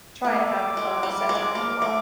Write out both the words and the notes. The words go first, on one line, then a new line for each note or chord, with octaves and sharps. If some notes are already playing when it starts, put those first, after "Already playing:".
try and have a set time to walk.
A3 D6
G#3
G3
G#3
A#3
A3